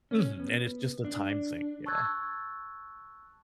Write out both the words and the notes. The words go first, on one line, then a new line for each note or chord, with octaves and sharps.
Mhm, and it's just a time thing. Yeah.
C#4
B3
D4
A5 C#6 E6 F#6 G#6 A6